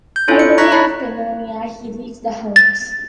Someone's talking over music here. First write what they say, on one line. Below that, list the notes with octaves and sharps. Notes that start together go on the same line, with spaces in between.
By the way of Pannonia, he reached the Huns.
G6
D4 E4 F4 A4 C#5
C#7
A#5 C#6 F#6 G#6 A#6 B6
E4 C#5 A5 B5
A6